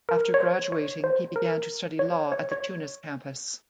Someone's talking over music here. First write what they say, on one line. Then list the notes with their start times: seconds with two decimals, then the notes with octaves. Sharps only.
After graduating he began to study law at the Tunis campus.
0.09 A#4
0.34 C#5
0.41 C5
0.72 C#5
1.04 C5
1.36 A#4
1.99 C#5
2.32 C#5
2.52 C#5